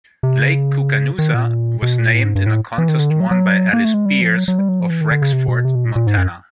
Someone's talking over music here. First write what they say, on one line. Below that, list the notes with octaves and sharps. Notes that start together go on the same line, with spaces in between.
Lake Koocanusa was named in a contest won by Alice Beers of Rexford, Montana.
C3
C#3
D#3
A#2
B2
A#2
A2
G#2
G2
A2
E3
D#3
D3
D#3
F#3
F#3
A#3
A3
G#3
G3
F3
F#3
F#3
G3
F#3
F3
E3
D#3
D3
C#3
C3
B2
C3
B2
A#2
A#2
G#2
F#2